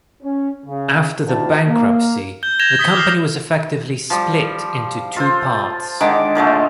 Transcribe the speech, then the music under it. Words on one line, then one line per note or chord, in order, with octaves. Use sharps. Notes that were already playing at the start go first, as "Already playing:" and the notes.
After the bankruptcy, the company was effectively split into two parts.
C#4
C#3
D2 D#3 D#4 F4 G4 A5
A#3
G6 G7
G6 G#6 A#6 E7 F7 G7
D#6 B6 G7
D6 F6 G#6 C7
F3 G3
F4 A4 C5
D3 D#3 G#3 D6
A#2 D3 G#3 A3